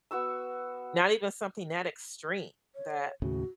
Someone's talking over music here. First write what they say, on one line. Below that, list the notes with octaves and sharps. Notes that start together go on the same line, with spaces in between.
not even something that extreme that
B3 F#4 C#6 E6
C#5
D#2 A2 C#3 F#4